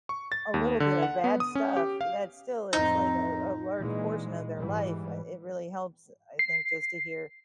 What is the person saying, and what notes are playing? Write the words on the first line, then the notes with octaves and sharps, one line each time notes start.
a little bit of bad stuff that still is like a a large portion of their life. I it really helps, I think just to hear
C#6
A6
D#2
D3
F#5
B3
D#6
C#4
G4
F5
F2 A2 C4 D#4
A#2 E3 G#3
G#2 E3 G3
C7